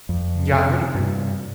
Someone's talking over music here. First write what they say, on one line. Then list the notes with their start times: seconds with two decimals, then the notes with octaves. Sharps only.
Yeah, I would agree with that.
0.09 F2
0.52 C3
0.95 G2